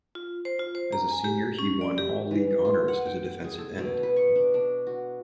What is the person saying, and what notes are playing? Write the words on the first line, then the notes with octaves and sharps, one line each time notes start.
As a senior, he won All-League honors as a defensive end.
F4
C5
F4
C5
A#5
G#5
G4
C#4
D5
G4
E3
F4
F#5
G5
G#4
A4
B2
B4
C#6
D4
D4
F#4